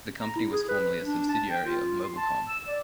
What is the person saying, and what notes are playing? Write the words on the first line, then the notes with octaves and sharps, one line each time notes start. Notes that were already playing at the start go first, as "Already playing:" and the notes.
The company was formerly a subsidiary of Mobilcom.
A#5
E4
G#4
B4
D4
A5
G5
F4
C6
A5
E6
D5